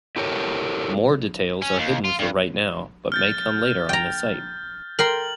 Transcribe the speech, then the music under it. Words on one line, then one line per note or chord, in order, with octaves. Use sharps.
More details are hidden for right now, but may come later on this site.
E4 G4 A4 A#4 C#5
C#4
D#2
F4
G2
F6 G6 A6
G5 A#5
A#4 G5 C6 F#7